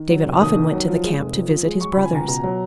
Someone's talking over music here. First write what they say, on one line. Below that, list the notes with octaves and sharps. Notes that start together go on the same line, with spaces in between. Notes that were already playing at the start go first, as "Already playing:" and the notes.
David often went to the camp to visit his brothers.
Already playing: D#3
F#3
F1
D#2 D#6
D#3
F#3
F3
G#3
F1
F2
F3
G#3
F#3 C#6
C#2 B5
G#5
C#2 A#5
B2 A#5
F#3